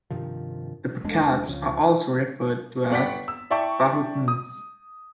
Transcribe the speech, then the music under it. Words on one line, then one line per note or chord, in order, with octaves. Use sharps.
The Bacabs are also referred to as "Pauahtuns".
G2 C3 D#3 F3
E1 E2 G#3 D4
C#2 C#3 F3
G1 B3 D5 F#5 G5 B6
E6
E4 D5 E5 G5 A5 C#6
D#6